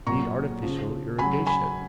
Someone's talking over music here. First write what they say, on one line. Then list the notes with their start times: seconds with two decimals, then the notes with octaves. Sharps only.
Need artificial irrigation.
0.07 A#2 F#3 A#5 C#6
0.63 C#3 F3
1.18 C#3 G#5 B5
1.23 F#3
1.47 G#5 B5